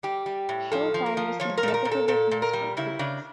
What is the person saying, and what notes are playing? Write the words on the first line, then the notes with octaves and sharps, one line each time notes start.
"Showtime" received negative reviews from critics.
G3 G4
G3
A2
F3 A4
F3
A#4
F3
F3 C#5
A#4
A#2 A4
A#4
A#2
A4
A#2 A4
A#2
A#4
G3
C#3 E4
C#3 D4